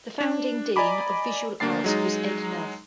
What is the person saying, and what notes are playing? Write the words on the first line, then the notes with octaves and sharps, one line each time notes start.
The founding Dean of Visual Arts was Ed Love.
D4
D5 D#5 G#5 A#5 B5 D6
D2 A#3 D4 A6 C7
F#3 G#3 D#4